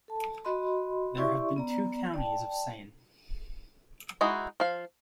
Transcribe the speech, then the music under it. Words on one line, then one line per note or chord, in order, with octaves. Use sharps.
There have been two Counties of Sayn.
A4 A5
F#4 D#5 B5 C6
E4 G4 D5 E5 C6 C#6
B3 D5 A#5
D5 G5 A5
G#3 D#4 E4 F#4
F3 F5